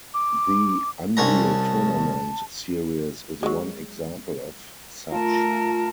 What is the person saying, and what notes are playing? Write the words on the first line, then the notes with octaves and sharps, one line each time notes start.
The "Unreal Tournament" series is one example of such.
D6
C2 C#4 A5 A#5
F#3 G#3
A3 F4 A#4 A5